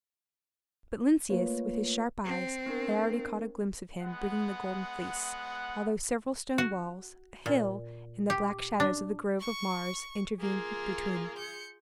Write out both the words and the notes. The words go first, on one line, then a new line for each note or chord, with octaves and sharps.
But Lynceus, with his sharp eyes, had already caught a glimpse of him, bringing the Golden Fleece, although several stone walls, a hill, and the black shadows of the Grove of Mars, intervened between.
A3 A#3 F4 B4 C#5
C4
B3 D4 A#4
G#3 B3 F#5
F#4
A#2
G4
D4
C#6
A#3 F4 G#4
G6 C#7